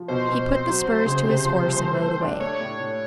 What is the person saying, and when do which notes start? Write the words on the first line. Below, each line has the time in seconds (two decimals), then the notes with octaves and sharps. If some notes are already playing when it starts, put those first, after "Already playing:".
He put the spurs to his horse and rode away.
Already playing: F3
0.08 B2 C5
0.28 B2
0.48 C4
0.67 F#3
0.87 F#3
1.05 C#3
1.25 C3
1.44 F3
1.63 C2
1.82 A3
2.02 A3
2.21 D4
2.40 A3 C#5
2.60 A2
2.79 A2